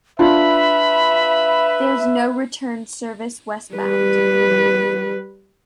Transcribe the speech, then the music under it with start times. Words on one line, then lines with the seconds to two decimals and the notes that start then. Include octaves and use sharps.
There is no return service westbound.
0.19 D4 F4 B4 E5 B5
3.75 G3 B4